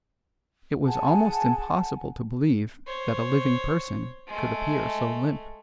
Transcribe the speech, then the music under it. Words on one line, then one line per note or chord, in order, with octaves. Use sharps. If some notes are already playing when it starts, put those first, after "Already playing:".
It was almost impossible to believe that a living person could appear so limp.
G#4 F#5 G#5 A5
C5 C#5
G#3 A3